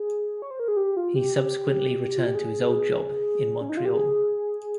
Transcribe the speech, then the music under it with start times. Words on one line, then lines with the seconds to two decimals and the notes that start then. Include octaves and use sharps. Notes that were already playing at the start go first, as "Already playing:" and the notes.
He subsequently returned to his old job in Montreal.
Already playing: G#4
0.42 C#5
0.51 C5
0.60 A#4
0.68 G#4
0.77 G4
0.97 F4
1.15 G4
1.36 G4
2.18 F4
2.26 G4
2.35 G#4
3.61 C#4
3.70 D#4
3.77 F4
3.85 G4
3.93 G#4